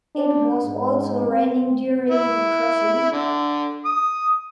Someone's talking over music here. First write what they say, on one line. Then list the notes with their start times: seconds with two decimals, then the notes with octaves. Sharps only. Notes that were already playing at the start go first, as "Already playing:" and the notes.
It was also raining during the crossing.
0.15 D4
0.65 G#2
1.29 C4
2.10 E4
3.12 D3
3.85 D#6